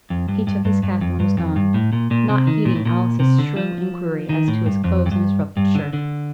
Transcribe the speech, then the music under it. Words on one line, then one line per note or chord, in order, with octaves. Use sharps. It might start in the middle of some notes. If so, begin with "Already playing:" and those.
He took his cap and was gone, not heeding Alice's shrill inquiry as to his clothes and his ruffled shirt.
F2
G2
G2
G2
G2
F2
G2
F2
G2
A2
A#2
A#2
C3
D#3
A#2
A2
A#2
C3
D3
F3
D#3
A2
G2
F2
F2
G2
G2
D3
D3